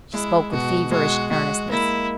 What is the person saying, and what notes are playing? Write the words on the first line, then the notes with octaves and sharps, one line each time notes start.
She spoke with feverish earnestness.
G#3 E4
B2 F#4
G#3 F#4
G#3 F#4
A#3 E4